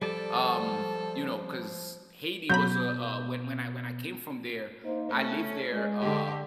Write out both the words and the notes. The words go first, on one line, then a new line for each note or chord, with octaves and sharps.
um, you know, 'cause Haiti was a a when when I when I came from there, I lived there, uh,
F3 G3 A4 D5 A5
B2 F#3 A#5 B5 G6
A#3 D#4 C5
A3 C#4
G#3
D3 G4